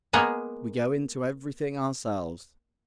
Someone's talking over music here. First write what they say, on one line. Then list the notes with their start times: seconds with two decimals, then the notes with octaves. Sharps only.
We go into everything ourselves.
0.13 G#3 A#3 B3 G#4